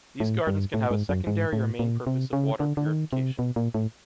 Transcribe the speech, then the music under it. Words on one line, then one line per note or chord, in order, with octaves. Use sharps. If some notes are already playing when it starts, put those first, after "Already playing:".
These gardens can have a secondary or main purpose of water purification.
A2
G2
A2
G#2
F#2
G#2
A2
A#2
C3
C#3
D3
D3
D#3
C3
B2
A#2
A2